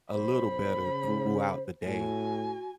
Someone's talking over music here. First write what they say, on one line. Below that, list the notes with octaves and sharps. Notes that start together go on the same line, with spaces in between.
a little better throughout the day,
B1 C5 B5
C#3
A2 F#4 G#5